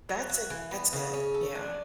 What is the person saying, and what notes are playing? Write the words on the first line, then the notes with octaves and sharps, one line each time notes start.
that's it, that's it, yeah.
F#3
F#4
E3
B3
C#3
C#4
A4
D4